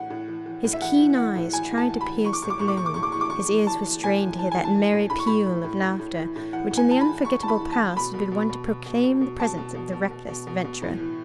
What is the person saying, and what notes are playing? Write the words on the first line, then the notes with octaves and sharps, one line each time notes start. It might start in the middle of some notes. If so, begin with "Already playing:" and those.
His keen eyes tried to pierce the gloom, his ears were strained to hear that merry peal of laughter which in the unforgettable past had been wont to proclaim the presence of the reckless adventurer.
Already playing: A2 E3 F#5
A2
E3
E3
A2
E5
E3 F#5
E3
E3 F#5
A2
E3 G#5
A2
A5
E3
B5
E3
E3 C#6
D6
A2 C#6
D6
A2 C#6
D6
E3 C#6
D6
A2 C#6
D6
E3 C#6
D6
E3 C#6
E3
E3 A5
E3
A2 G#5
E3
E3 A5
G#5
E3
A5
E3
A2
A2 B5
C#6
A2 B5
A2
A2
A2
A2
E3
A2
E3 F#5
A2
G#5
E3 A5
B5
E3
E3 C#6
E3 A5
B5
E3
A5
E3
B2 B5
B2
B2
B2
B2
B2
B2
B2
B2 A5
B2
B2
B2
B2
B2
B2
B2
A2
E3